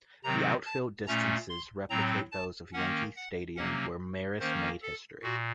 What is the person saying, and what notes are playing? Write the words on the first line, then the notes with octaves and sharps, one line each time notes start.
The outfield distances replicate those of Yankee stadium where Maris made history.
C3 D#3 F#3 C4 A#5
A5
A#2 A3 C#4 A#5
C6
A2 F#3 C4 A#5
A5
D#3 A#3 C#4 F#5
F#5
C3 F#3 A#3 C#4 F#5
D#3 A#3 C#4 C5
A4
A#2 F#4